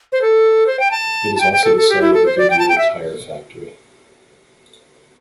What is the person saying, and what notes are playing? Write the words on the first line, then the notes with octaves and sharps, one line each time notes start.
It is also the site of a Goodyear tyre factory.
C5
A4
C5
G5
A5
A5
G5
G5
A4
A4
G4
E4
A4
C5
D5
G5
A5
G5
E5